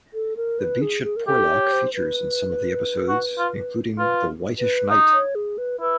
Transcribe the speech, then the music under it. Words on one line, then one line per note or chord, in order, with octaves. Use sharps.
The beach at Porlock features in some of the episodes including The Whitish Knight.
A4
A#4
B4
G#4
G#4
A#4
G4 A4
C#5
C5
B4
F#4
F4
F4 B4
B4
D#4
C#5
G#4
B4
E4 B4